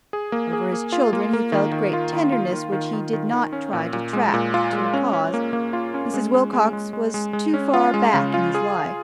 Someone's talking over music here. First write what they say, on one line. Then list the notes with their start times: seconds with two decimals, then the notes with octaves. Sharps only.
Over his children he felt great tenderness, which he did not try to track to a cause: Mrs. Wilcox was too far back in his life.
0.13 G#4
0.32 A#3
0.53 G#4
0.73 A#3
0.92 F4
1.13 A#3
1.33 A#3
1.52 D#3
1.72 D#3
1.93 F4
2.13 D#3
2.32 F4
2.52 D#3
2.72 D#3
2.93 D#3
3.13 D#3
3.33 D#3
3.53 C#4
3.73 A#2
3.93 A#2
4.13 G#3
4.34 A#2
4.54 F4
4.73 G#3
4.94 C#4
5.13 C#4
5.34 A#3
5.53 A#3
5.73 F4
5.94 C#4
6.14 G#3
6.34 G#3
6.53 G#3
6.73 G#3
6.93 G#3
7.14 G#3
7.33 G#3
7.54 C#4
7.74 F4
7.94 G#3
8.14 C#3
8.34 F4
8.55 G#4